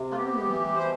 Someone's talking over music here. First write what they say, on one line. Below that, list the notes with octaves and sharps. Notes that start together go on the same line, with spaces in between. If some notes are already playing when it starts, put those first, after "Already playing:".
"I remember it."
Already playing: C3
F4
B3 G4
E3
B2 C5